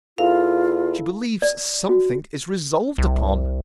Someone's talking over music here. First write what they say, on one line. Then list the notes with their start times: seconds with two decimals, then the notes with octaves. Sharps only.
She believes something is resolved upon.
0.18 E2 E4 F4 A4 F5
1.42 D5
1.89 F#4
2.98 C2